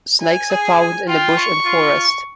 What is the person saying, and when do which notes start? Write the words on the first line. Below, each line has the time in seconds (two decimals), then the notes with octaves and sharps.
Snakes are found in the bush and forest.
0.22 G#5
0.51 G#4
1.08 F4 G5
1.37 C#6
1.65 F4